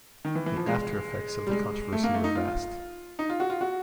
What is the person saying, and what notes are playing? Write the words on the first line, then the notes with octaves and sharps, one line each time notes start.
The after effects of the controversy were vast.
D#3
E3
E3
F3
G#3
G3
G#3
A3
A#3
A3
D#4
F4
D#4
F4
F#4
F4
F#4